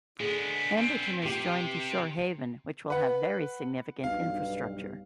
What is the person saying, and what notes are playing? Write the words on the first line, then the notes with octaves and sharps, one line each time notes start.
Amberton is joined to Shorehaven which will have very significant infrastructure.
D3 G#3 B3 G#4
B3 C4
C3 B3 G4
B4 F#5
B1 G2 F5